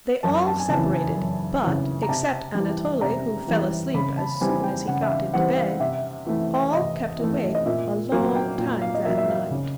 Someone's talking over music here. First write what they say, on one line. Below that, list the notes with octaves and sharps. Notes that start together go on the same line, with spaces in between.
They all separated, but, except Anatole who fell asleep as soon as he got into bed, all kept awake a long time that night.
F#2 A5
A5
G#5
C#3 E3 A5
G#5
F#2
C#3 E3
A#5
C3 A5
E3 G3
C3 A#5
E3 G3
C#3 B5
A5
E3 G3 C4 G#5
G5
C#3 F#5
E5
F5
E3 G3 C4 F#5
F5
C3 E5
E3 A3
C3 D#5
E3 A3
D#5
A#2 E5
F#3 A#3 F5
G5
A#2 G5
F5
D#5
F#3 A#3 E5
E5
F5
C#3